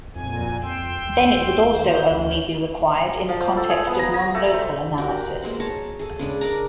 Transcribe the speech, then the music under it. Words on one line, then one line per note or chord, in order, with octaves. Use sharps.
Then it would also usually only be required in the context of nonlocal analysis.
F2 A#2 G#5
G5 C6 E6
D#2
D#3 C5 G6
D2 C#4
F3
C5
A4
G#4
B3
A#5
A#5
A3
C5
F#4 G4 A#4
G#3 A#3 C5 B5
C#5 A5 A#5
G#4 A4
C#3 G#3 D4
A#4 D5 A#5